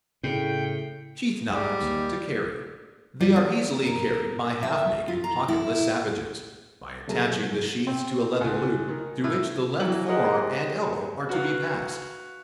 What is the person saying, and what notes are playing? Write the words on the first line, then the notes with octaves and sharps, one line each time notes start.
Sheath Knives, to carry.--They are easily carried by half-naked, pocketless savages, by attaching the sheaths to a leather-loop, through which the left forearm and elbow are to be passed.
A2 C#3 E4 G5
G#2 G3
D#2
G3
E2
A#4
E5
F4
A#5
E4
C3 F#3 A3 G#4 A#4
C4
C#2
D#3
A2
E3 F#3 F#7
G4 G#4 A#4 C5 D#5 F#5
F#4 B4 F5